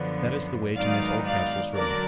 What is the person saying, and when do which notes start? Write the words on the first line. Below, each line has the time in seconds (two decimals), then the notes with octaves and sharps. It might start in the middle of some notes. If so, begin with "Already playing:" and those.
That is the way to Miss Oldcastle's room.
Already playing: F#2 D3 F3 B3
0.75 G#2 D#3 F#3 B3 D#4 D5 F5
1.25 D5 F5
1.74 D3 F#3 D4 A#4 D5